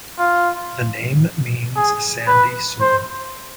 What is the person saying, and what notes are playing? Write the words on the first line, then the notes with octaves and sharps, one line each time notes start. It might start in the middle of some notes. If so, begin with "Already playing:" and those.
The name means sandy soil.
F4
G#4
B4
C5